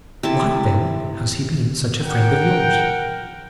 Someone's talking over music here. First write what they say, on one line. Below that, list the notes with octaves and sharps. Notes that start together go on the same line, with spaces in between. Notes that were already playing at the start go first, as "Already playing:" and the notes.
"Why, then, has he been such a friend of yours?"
C3 E4 A5
A#4 F#5 G5